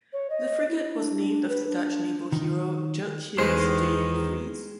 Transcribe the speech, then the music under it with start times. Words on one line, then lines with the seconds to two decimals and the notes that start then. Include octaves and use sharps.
The frigate was named after Dutch naval hero Tjerk Hiddes de Vries.
0.13 C#5
0.30 D#5
0.69 E4
0.94 D4
1.48 B4
1.67 D4
2.32 D#3
3.38 E2 D#3 G#3 B4 C5